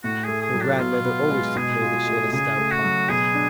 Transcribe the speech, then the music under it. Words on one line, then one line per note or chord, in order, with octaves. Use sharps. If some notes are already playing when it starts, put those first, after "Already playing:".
Her grandmother always took care that she had a stout pocket.
A2 F#4
G#4
A3
G#4
F#3
D4
B2 F4
B3
G#3
B2 G#4
F4
A3
C#3 G#4
A3
F#4
F#3
B2 G#4
D4